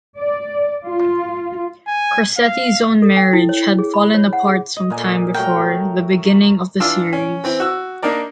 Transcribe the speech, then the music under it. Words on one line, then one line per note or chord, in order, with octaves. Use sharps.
Crosetti's own marriage had fallen apart sometime before the beginning of the series.
D5
F4
G#5
F5
A4
G5
E4
C#5
G#4
B5
C#5
F#5
G#4
D#5
A#2 A#3 G#5
F#3 A3 A#4 G5
E3 D4 F4 E6
C#4
E3 C4
F#4 E6
A#3 D4 D#4 A#4 D5